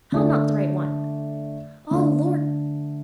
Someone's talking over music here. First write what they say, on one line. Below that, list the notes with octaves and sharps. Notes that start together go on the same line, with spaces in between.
How not the right one?... O Lord!
D3 A3 D4
D3 A3 D4